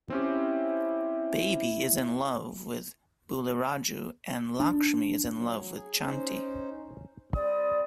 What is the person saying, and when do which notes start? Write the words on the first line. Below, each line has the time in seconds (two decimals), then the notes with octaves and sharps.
Baby is in love with Buliraju and Lakshmi is in love with Chanti.
0.10 C4 C#4 E4 G4
4.60 D4
5.34 F#3
5.75 G#4
6.06 C#4 D#4 C5
7.35 G3 C4 D5 D#6